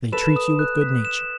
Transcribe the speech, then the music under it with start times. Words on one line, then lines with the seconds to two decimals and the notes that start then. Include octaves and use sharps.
They treat you with good-nature.
0.12 A4 B4 E7
0.36 D#6
0.59 F#6
0.81 B6
1.05 E7